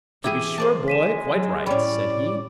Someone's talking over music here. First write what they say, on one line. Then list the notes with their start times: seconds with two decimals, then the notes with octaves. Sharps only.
"To be sure, boy; quite right," said he.
0.24 E3 E4 G4 G#4 D6 D#7
0.58 C5 D5 A5
0.88 G#3 B6 D#7 E7
1.32 F#3
1.66 A2 G3 C#4 D5 B5